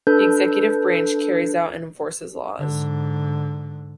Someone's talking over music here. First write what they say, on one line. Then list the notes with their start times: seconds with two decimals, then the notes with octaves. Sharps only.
The executive branch carries out and enforces laws.
0.07 D4 A4 B4 G6
2.59 G#2 D3